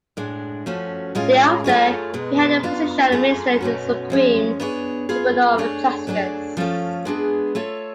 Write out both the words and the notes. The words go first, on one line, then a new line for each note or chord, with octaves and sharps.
Thereafter, he held a position of Minister of the Supreme Tribunal of Justice.
A2 G#3 D4
F3 A3 C#4 F#4
A2 G#3 C#4 F4 G#4
A3 F4 G#4 C#5
B2 G#3 B3
B3 D4 F4
A3 F4 G#4
B2 A3 C#4 F#4
F3 G#3 C#4
B3 D4 G#4 C#5
B3 F4 G#4
A3 D4 G#4 C#5
F#3 A3 D4 G#4 D5
F3 A3 C#4 F4 A4
G#3 B3 D4 F4 G#4
A3 F4 A4 C#5